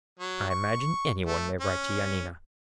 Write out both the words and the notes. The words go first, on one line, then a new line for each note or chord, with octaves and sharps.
"I imagine any one may write to Yanina."
F#3
C#6
A3
C#4